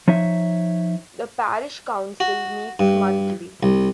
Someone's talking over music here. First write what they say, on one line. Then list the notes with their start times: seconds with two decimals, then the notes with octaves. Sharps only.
The Parish Council meets monthly.
0.08 F3 D#4 C#5 E5
2.20 F#4
2.79 G2
3.63 C2